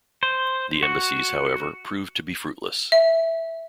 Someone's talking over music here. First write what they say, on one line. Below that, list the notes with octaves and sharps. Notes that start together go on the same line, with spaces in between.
The embassies, however, proved to be fruitless.
C5
F#4
E5